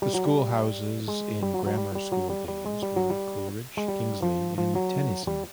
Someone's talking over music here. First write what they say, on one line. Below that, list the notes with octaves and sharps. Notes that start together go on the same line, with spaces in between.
The School Houses in grammar school days were Coleridge, Kingsley and Tennyson.
G3
F#3
G3
G#3
G3
F#3
F#3
G3
G3
F#3
G3
G3
G#3
G3
F#3
G3
G#3
G3
F3
F3
F#3
G3